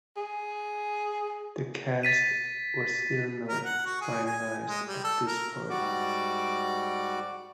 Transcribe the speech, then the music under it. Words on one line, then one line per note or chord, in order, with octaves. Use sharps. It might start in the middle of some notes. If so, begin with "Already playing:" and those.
The cast was still not finalized at this point.
G#4
A6 B6 D#7
A#4
F#5
F#4
G#4
G#5
G#3
G3
A4
A#4
G#2 G3 F#4 D5 D6